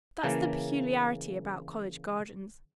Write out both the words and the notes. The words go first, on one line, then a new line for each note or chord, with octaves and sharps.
That's the peculiarity about college gardens.
C#3 E3 A#3 A5